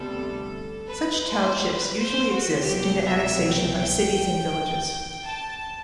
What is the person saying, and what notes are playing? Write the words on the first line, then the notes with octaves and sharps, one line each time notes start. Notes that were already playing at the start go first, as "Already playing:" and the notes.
Such townships usually exist due to annexation by cities and villages.
Already playing: D2 C3 G3 B3 D4 A4
B4
C5
B4
C5
F#4
C2 B2 F#3 G4
E5
G5
A5